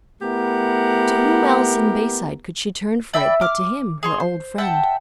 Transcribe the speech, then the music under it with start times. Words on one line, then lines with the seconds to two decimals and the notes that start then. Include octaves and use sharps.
To whom else in Bayside could she turn for it but to him, her old friend?
0.22 A3 B3 E4 G4 A#4 F#5
3.13 D5 E5 G5 B5
3.41 D6 F6
4.03 G#4 C#5 C6
4.20 C5
4.58 E5 F#5 G5 A5